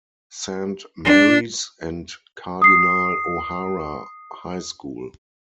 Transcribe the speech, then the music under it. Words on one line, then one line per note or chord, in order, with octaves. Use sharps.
Saint Mary's and Cardinal O'Hara High School.
D4
D#6 C7